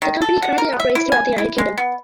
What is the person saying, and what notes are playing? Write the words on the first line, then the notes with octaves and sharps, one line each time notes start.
The company currently operates throughout the United Kingdom.
D#3
A4
F#5
A#4
E5
E4
G#5
E4
G#3
B3